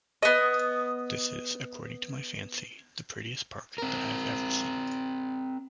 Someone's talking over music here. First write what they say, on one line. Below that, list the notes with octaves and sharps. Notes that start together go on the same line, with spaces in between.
This is, according to my fancy, the prettiest park that I have ever seen.
B3 D#5
C4 A#4